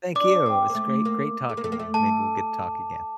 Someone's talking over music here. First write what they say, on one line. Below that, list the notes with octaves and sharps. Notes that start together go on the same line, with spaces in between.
Thank you. It was great great talking to you. Maybe we'll get to talk again.
D4 D6
C4
A#3
A3
A#3
A3
A#3
A3
A#3
A3
A3 A5